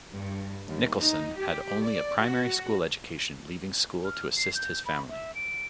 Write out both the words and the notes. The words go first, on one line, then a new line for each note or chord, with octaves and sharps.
Nicholson had only a primary school education leaving school to assist his family.
G2
D#2
D#4
G4
D5
F#4
F6
C7
G6
B5
E5
D7